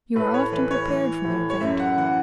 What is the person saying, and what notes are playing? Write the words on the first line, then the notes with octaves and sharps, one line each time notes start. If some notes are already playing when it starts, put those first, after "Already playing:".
You are often prepared for the event.
A2 B4
C#5
E3 B4
C#5
E3
A2
C#5
F#2 E5
F#5
E3 F#5